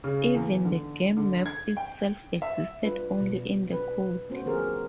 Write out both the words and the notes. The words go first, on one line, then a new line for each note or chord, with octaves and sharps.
Even the game map itself existed only in the code.
C#3
E2
D3
D3
G#6
G5
E5
G3 D4 F4 B4
B2 F#3
D4 B4
A3 B3 C#4 F#4 C5
D3 F3 C4 G4 G#4 A#4